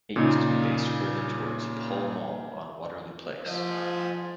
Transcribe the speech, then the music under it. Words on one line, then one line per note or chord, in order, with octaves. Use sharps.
It used to be based further towards Pall Mall on Waterloo Place.
A#2 C#3 A#3 D#4
F3 C5 D#5